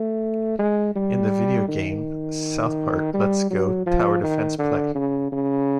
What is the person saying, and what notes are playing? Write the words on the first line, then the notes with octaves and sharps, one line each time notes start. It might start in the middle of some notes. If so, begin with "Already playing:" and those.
In the video game South Park Let's Go Tower Defense Play!
Already playing: A3
G#3
G3
D#3
G3
F#3
F3
D#3
D3
C#3
C#3